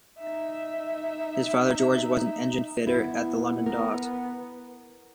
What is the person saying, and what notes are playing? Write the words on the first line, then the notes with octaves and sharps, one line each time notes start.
His father George was an engine fitter at the London Docks.
D#4 E5
B3 E4
A#4